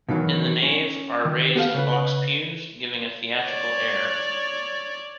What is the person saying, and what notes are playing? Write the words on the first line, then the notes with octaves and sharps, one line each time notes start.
In the nave are raised box pews, giving a theatrical air.
B2 D#3 E3 F#3
C#4
D#3
B3 G4 A4 F5
C#3 B4
C#5 D5